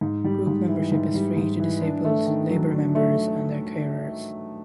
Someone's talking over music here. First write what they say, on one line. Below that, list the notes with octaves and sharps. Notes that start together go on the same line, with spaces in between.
Group membership is free to disabled Labour members and their carers.
G#2
G3
G#2
E3
G#2
G3
G#2
E3
D4
A3
D#3
F#3
D4
A3